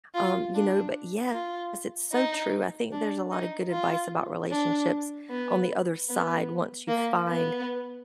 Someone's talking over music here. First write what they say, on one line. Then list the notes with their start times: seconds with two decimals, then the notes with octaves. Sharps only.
um, you know, but yes, it's so true, I think there's a lotta good advice about relationships on the other side once you find
0.15 F4
0.55 D4
1.33 F4
2.13 D#4
2.92 D4
3.32 D#4
3.71 F4
4.51 D4
5.30 B3
6.10 B3
6.89 A#3
7.28 B3